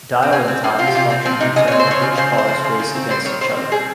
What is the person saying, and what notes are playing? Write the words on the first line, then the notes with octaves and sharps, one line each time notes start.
Dial-in times function to determine which cars race against each other.
C4
C3 C#4
C4
F3 C#4
C3 F4
G4
C3 F4
C4
F3 C4
C3 D#4
C#3 D#5
C4 C#5
C5
F3 C#5
C#3
C#3 C5
C4 C5
F3
C#3
D#3
C4
G3 C5
D#3 C#5
D#3 C5
C4
G3 G#4